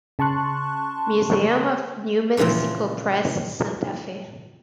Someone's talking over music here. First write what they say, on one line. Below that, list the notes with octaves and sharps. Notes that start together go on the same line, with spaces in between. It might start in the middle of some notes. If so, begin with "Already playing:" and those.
Museum of New Mexico Press, Santa Fe.
C#3 A5 C6 C#6 F#6
A#2 C#3 E3 F3 C4